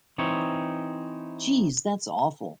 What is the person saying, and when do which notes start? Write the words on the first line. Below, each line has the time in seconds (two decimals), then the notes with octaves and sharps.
Jeez, that's awful!
0.18 E3 C4 D#4 C#5